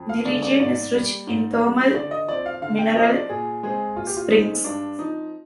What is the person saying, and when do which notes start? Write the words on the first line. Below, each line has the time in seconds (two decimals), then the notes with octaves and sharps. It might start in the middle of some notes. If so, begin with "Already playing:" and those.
The region is rich in thermal mineral springs.
Already playing: F2
0.09 F5
0.25 D3 G#3 D5
0.42 D5
0.60 G#2 D5
0.94 G3 A#3
1.27 G#2
1.60 G3 A#3
1.95 D3 D5
2.11 D#5
2.28 F3 C4 D5
2.46 F5
2.62 D3 F5
2.79 G5
2.96 F3 C4 D#5
3.13 D5
3.29 A#2 G#4
3.63 G#3 C4 G#4
3.96 A#2 F4
4.07 G4
4.17 F4
4.30 G#3 C4 D#4
4.64 G2 D4
4.98 F3 C4 D#4